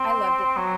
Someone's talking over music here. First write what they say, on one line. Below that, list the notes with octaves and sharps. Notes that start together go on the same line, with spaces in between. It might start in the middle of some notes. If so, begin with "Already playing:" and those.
I loved it
Already playing: C4
F#3